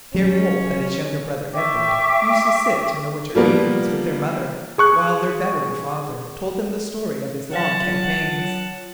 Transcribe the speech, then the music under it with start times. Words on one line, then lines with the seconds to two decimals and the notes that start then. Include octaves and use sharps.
Here Wolfe and his younger brother Edward used to sit in the winter evenings with their mother, while their veteran father told them the story of his long campaigns.
0.15 F#3 C#4
1.54 E5 G5 C#6 D6
3.35 F3 G3 A#3 B3 F4
4.78 G#4 C#6 F#6
7.51 F#3 F4 C#5 F#5 A5